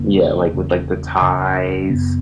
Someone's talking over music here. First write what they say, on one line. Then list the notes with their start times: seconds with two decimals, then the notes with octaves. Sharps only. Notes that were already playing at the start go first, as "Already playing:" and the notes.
Yeah, like, with, like, the ties
Already playing: E2 C#3 A#3
0.54 E2 C#3
1.21 E2 C#3
1.90 F#2 C#3 B3